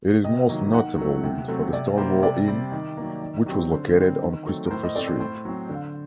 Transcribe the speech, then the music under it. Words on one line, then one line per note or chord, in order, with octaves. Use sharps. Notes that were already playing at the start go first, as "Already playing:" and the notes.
It is most notable for the Stonewall Inn, which was located on Christopher Street.
C3 D#5
D#3 F#3 A#3
D#3 F#5
F#3 A3
C3
F#3 A3 C4
C3 D5
G3 A#3 C5
C3 D5
G3 C4
D#3
F#3 A#3
D#3
F#3 C4 G4
D3 C5
G3 C4
D#3
F#3 A3 C4
A#4
A2 C5
D#5
A3 C4 D5
C5
A2 C5
F#3 C4
D3